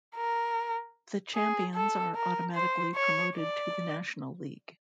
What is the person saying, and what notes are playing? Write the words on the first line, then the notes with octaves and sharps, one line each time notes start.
The champions are automatically promoted to the National League.
A#4
G#4
A4
A#4
C5
C#5
D5